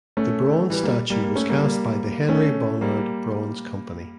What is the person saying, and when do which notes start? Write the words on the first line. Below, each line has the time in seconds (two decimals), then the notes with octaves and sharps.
The bronze statue was cast by the Henry Bonnard Bronze Company.
0.17 A3 C#4
0.70 E3 G3
0.83 G3 A#3
1.10 G3 A#3
1.23 G3 A#3
1.36 A3 C#4
1.49 G3 A#3
1.63 G3 A#3
2.29 A3 C#4
2.81 G3 A#3